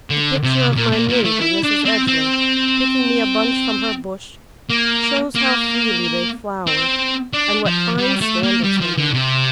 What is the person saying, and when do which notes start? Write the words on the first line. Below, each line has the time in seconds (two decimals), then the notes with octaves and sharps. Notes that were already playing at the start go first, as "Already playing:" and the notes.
The picture of my neighbour, Mrs. Edgeler, picking me a bunch from her bush, shows how freely they flower, and what fine standards they make.
0.10 D3
0.43 C3
0.76 A#2
0.92 A#2
1.09 A#2
1.25 A3
1.41 E4
1.64 D4
1.86 C4
2.07 C4
4.70 A#3
5.36 A#3
6.67 C4
7.33 D4
7.66 F3
7.98 G3
8.21 A3
8.43 A#3
8.64 G3
8.81 F3
8.97 D3
9.14 C3